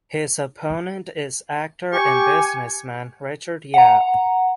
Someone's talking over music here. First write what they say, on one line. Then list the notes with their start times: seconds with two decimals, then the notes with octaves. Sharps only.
His opponent is actor and businessman Richard Yap.
1.93 G4 G#5 C#6
3.74 F#5 A#5